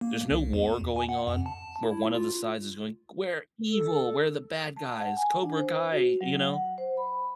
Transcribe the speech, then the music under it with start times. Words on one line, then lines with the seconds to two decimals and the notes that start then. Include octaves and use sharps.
there's no war going on, where one of the sides is going, "We're evil. We're the bad guys. Cobra Kai." You know?
0.01 A#3
0.31 C2
0.53 E2
0.96 G#5
1.09 F#5
1.27 F2
1.46 A5
1.83 E4
2.15 F4
3.70 A4
4.77 A5
5.02 F#5
5.17 G#5
5.42 D4
5.57 C5
5.92 F#4
6.21 F#3
6.54 F#5
6.78 C5
6.97 B5